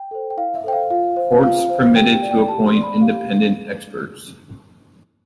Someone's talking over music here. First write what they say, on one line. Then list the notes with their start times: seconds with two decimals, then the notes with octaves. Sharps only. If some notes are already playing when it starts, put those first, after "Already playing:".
Courts permitted to appoint independent experts.
Already playing: G5
0.11 A4 C5
0.30 G5
0.37 E4 F5
0.55 E5
0.64 A4 C5 G5
0.73 F5
0.90 F4 F5
1.16 C5
1.43 F4 F5
1.69 C5
1.96 G4 G5
2.13 G5
2.22 D5
2.31 G5
2.48 G4 A5
2.66 C6
2.75 D5
2.83 B5
3.01 G4 F5